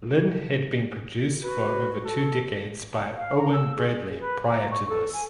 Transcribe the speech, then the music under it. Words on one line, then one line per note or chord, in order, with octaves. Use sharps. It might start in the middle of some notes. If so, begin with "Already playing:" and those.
Lynn had been produced for over two decade by Owen Bradley prior to this.
F#4 B4
A4
F5
A#5
E6
G#4
B4
A#5
C#6
A4
G#5